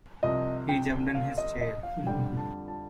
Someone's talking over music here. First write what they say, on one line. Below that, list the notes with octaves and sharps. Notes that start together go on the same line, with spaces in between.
He jumped in his chair.
C2 C3 F3 D#5
G5
F5
D#5
D#5
F5
F2 D3 G3 G5
A5
A5